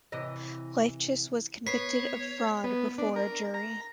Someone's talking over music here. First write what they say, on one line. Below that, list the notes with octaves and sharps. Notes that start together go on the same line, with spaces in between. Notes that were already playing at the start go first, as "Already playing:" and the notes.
Lifchus was convicted of fraud before a jury.
C3 E3 D#5
B3 C#5 B6 C7
B3
D4
A#4
A#5